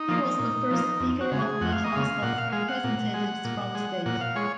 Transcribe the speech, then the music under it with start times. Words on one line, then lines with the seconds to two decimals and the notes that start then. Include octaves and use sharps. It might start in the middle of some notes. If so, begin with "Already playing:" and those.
He was the first Speaker of the House of Representatives from the state.
Already playing: D#4
0.08 F3 A#3
0.39 A#2
0.70 F3 A#3
1.00 F2
1.21 F#4
1.31 C#3 G#3
1.42 G#4
1.61 F2 F#5
1.73 F5
1.84 D#5
1.92 C#3 G#3 F5
2.22 A#2 F#5
2.38 F5
2.52 G#3 F5
2.68 F#5
2.84 A#2
3.14 G#3
3.44 A#2
3.75 G#3
4.06 A#2 F#5
4.21 F5
4.36 G#3 C#5